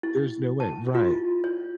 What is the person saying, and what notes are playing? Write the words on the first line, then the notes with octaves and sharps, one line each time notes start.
There's no way. Right.
E4
A5
F4
E4
C#5